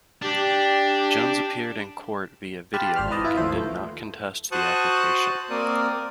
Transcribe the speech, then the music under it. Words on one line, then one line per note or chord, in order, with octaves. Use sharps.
Jones appeared in court via video-link and did not contest the application.
D4 G4
G4 F5 A5 B5 C6 F#6
G#1 C5 D5 F6
E3 B4 D#5 A5
E4 F4 B4
D#2 A2 E3 F3 C5
A3
F#4 C5 A5 C#6 D#6 F#6
A#3 C4 A#4 D5 D#6